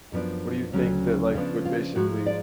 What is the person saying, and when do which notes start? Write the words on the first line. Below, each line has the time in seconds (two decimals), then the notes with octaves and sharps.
What do you think that, like, would basically
0.12 F#2 F3 B3 D4
0.73 D2 C#3 F#3 C#4
1.34 C#3 F3 B3 D4 F4
1.65 F4
1.95 G#2 F3 G#3 F#4
2.26 D5